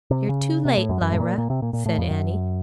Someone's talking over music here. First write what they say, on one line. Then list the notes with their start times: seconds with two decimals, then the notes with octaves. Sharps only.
"You're too late, Lyra," said Annie.
0.11 C3
0.29 C#3
0.65 C3
0.77 A2
0.89 F#2
1.01 F#2
1.12 A2
1.20 A#2
1.38 A#2
1.50 C3
1.62 A#2
1.73 A#2
1.86 A2
1.98 F2
2.10 F#2